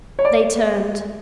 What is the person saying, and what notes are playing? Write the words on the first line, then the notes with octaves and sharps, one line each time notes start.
They turned.
C#5
D5